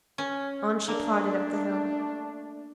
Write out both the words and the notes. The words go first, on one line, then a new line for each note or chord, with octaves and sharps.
On she plodded up the hill.
C#4
A3 A#3 D4